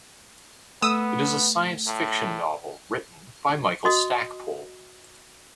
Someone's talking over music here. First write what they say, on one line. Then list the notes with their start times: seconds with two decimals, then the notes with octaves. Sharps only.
It is a science fiction novel written by Michael Stackpole.
0.82 A3 B3 D#6 E6
1.87 A2
3.85 F#4 D#5 D#6